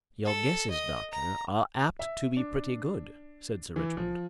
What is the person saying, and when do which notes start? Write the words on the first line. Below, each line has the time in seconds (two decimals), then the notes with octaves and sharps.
"Your guesses, doctor, are apt to be pretty good," said Sir Richmond.
0.25 A4
0.70 D#5
1.12 A#5
1.99 E5
2.37 D4
3.76 E3
3.97 F3